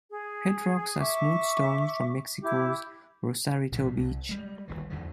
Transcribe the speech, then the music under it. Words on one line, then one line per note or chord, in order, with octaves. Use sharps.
Pet Rocks are smooth stones from Mexico's Rosarito Beach.
G#4
E5 C#6 D6
E4 G4 D6
A#1 A2 C3
C2
G3 G#3
G1 D#2 E3
E2 G2 D3 F3